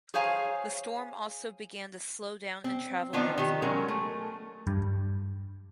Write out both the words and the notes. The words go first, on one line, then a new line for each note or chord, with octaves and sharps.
The storm also began to slow down and travel northward.
G#4 C5 C#5 F5 G#5 A#5
C4
D#3 F3 B3 D4 D#4
D#3 G4
F#3 G#3 C#4 A#4
A3
G2